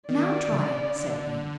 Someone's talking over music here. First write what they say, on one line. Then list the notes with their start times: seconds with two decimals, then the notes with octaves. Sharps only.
"Now try it," said he.
0.09 D#3 D5
0.52 C#3
0.96 D3